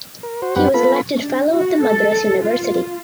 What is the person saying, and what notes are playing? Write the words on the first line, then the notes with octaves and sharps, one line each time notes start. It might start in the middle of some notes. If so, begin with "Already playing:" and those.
He was elected Fellow of the Madras University.
A#4
F#4 C5
F#2 G3 C4 G4 B4 F#5
B3 F4 A4 B5
D4
F#4
A4
F4